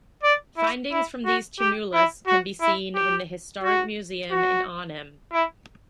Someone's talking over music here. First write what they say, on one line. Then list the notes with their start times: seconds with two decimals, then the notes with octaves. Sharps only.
Findings from these tumulus can be seen in the Historic museum in Arnhem.
0.23 D5
0.57 E4
0.92 E4
1.25 F#4
1.60 G4
1.94 E4
2.27 F#4
2.61 E4
2.95 G4
3.63 F#4
4.31 F#4
5.33 E4